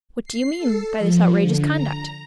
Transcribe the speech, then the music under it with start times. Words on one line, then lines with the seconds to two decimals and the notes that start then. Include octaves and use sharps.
What do you mean by this outrageous conduct?
0.25 C7
0.58 A4
0.99 F3
1.41 D3
1.72 A#5